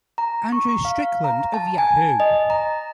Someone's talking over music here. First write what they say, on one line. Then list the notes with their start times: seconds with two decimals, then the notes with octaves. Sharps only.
Andrew Strickland of Yahoo!
0.18 A#5
0.52 C#6
0.85 F5
1.24 A#5
1.54 A5
1.78 G#5
2.20 D#5
2.50 A#5